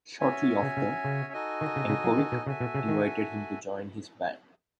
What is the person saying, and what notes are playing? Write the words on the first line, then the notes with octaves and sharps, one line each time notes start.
Shortly after, Yankovic invited him to join his band.
C#4 F#4 C#5 E5 G#5
C#3
C#3
C#3
D#4 F#4 A4 D#5 G#5
D#3
C#3
C#3
F#3
D#3
B2
C#3 F#4 A4 E5 G#5
B2
C#3
D#3